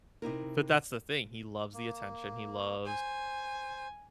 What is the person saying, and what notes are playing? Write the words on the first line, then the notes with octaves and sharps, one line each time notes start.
but that's the thing, he loves the attention, he loves
C3 D#4 E4 A#4
A#3
C5 G#5